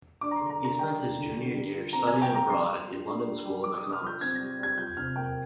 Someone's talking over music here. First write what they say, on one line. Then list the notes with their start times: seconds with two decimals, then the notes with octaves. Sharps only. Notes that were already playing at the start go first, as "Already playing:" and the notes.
He spent his junior year studying abroad at the London School of Economics.
0.21 D4 D6
0.31 A#5
0.36 C6
0.41 D3
0.50 A#5
0.60 A#3 A#5
0.79 G3 G5
0.98 D4
1.17 D3
1.35 G3
1.55 G3
1.74 F4
1.93 C4 A#5
2.07 G#5
2.12 G3
2.22 G5
2.31 G3 A#5
2.49 G3 C6
2.69 G3
2.88 F4
3.07 D4
3.26 G3
3.45 G3
3.64 G3 D6
3.78 D#6
3.83 G3
3.93 F6
4.02 F4 G6
4.21 C4 G#6
4.35 A#6
4.40 G3
4.59 G3 G#6
4.77 F4 G6
4.97 C3 F6
5.16 A#3 G5